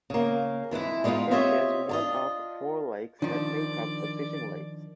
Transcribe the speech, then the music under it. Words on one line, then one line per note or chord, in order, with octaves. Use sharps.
It is one of four lakes that make up the Fishing Lakes.
C#3 A#3
F2 E3 G#3 E4
G3 G#3 B3 D4 D#4 F4
C4 F4 G4 C#5 D#5 E5
D4 F4 D#5
D#3 F3 D4 D5